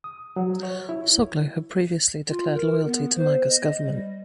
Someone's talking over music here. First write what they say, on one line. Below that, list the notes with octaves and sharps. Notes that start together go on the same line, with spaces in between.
Soglo had previously declared loyalty to Maga's government.
D#6
F#3
C#5
E4
F4
A#4
B3
C5
D#5
G3